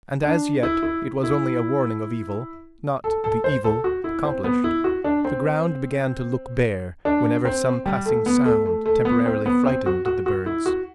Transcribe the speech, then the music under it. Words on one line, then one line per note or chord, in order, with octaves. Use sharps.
And as yet it was only a warning of evil, not the evil accomplished; the ground began to look bare whenever some passing sound temporarily frightened the birds.
D4
E4
E4
E4
A4
A4
C5
A4
F#4
E4
C4
B3
E4
F#4
D4
C4
D4
C4
G3
A3
B3
A3
A3
A3
B3
C4
B3
C4
F#4
F#4
F#4
E4
F#4